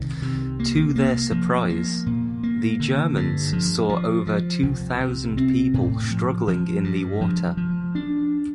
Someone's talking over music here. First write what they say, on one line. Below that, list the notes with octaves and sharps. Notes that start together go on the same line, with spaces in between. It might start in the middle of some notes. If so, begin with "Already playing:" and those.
To their surprise, the Germans saw over two thousand people struggling in the water.
Already playing: C2 D#3
C3
A#3
A#3
F3
A#3
A#2
A#3
D3
G2
F3
F3
F3
C2
C3
C4
A2
F3
F3
G2
F3
F3
D4